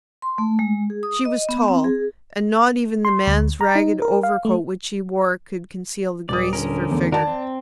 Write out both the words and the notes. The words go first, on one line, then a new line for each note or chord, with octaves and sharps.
She was tall, and not even the man's ragged overcoat which she wore could conceal the grace of her figure.
C6
A3
G#3
G#4
D#6
D#5
B3
C4
G#4
C6
D2
A#5
D#4
A#4
F5
A3
D#1 D5 D#6
D3 C#4 A#4
E2 A3
D#3 F#4 A#4 D5 A5
C4